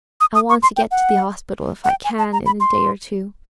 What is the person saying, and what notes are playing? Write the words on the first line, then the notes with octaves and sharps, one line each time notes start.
I want to get to the Orspital, if I can, in a day or two.'
D#6
D#6
C#6
C6
G5
F#5
F#5
G5
G#5
A5
A#5
B5
C6